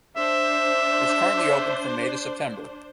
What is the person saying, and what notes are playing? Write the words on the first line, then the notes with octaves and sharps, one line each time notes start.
It is currently open from May to September.
D4 C5 E5